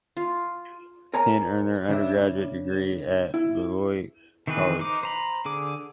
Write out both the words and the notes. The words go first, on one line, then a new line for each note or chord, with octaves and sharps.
Penn earned their undergraduate degree at Beloit College.
F4
A#4 C#5 G#5 A#5
C#3 D4 E5
E4
D#3 E3 C4 G#4 B4
D#4 C5 D6
C5 A#5 B5
D3 G#4 D6